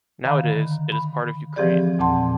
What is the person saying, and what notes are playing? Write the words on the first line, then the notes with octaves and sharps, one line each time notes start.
Nowadays, it is part of Ukraine.
D3 D#3 F5 A#5 B5
B5
E3 F3 C4 G4 G#4 D5
E2 A#2 C4 F#5 A5 C6